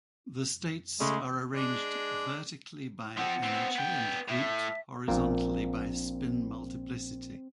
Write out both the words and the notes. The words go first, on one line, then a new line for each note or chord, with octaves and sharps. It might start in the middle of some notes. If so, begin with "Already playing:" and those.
The states are arranged vertically by energy and grouped horizontally by spin multiplicity.
C#3 G#3 A3
G#3 D4
F3 C4 F#5
B3 C4
B3 G5
A2 E5
A#1 A#2 A#3 C4